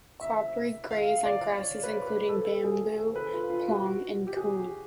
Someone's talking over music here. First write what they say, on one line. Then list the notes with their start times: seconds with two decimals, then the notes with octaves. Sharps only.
Kouprey graze on grasses, including bamboo, ploong, and koom.
0.21 E5
0.91 F5
1.25 D5
1.60 C#5
1.83 B4
2.06 B4
2.29 A4
2.64 G#4
2.98 A4
3.16 B4
3.33 F4
3.50 F4
3.68 F#4
4.27 G4
4.37 G#4